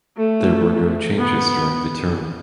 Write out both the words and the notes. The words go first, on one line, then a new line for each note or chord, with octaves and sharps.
There were no changes during the term.
A3
B3